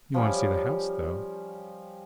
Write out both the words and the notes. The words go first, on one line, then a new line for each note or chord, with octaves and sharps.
"You want to see the house, though?"
F3 G3 C#4